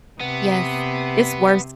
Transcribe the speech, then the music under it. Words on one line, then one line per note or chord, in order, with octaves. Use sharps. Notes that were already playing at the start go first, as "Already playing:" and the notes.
Yes. It's worse.
C3 B3